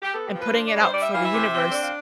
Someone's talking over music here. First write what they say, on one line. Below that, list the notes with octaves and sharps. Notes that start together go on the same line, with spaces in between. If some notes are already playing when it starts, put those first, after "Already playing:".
and putting it out for the universe.
G4
B3 A4
G4
F3
B4
D4 C5
D5
G3
C5
G3 D5
E5
E3 F5
E5
C3
C4
D4 D5
F5